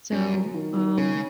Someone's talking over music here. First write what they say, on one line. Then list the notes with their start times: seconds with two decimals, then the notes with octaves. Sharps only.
So, um
0.12 F#2 C#4
0.34 F#3
0.54 D#3
0.76 D#3
0.98 C#3 C#4